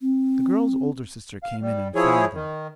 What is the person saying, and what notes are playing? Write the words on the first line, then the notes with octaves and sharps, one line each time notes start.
The girl's older sister came in and found them.
C4
F5
G3
F3 E4 G#4 C#5
D#3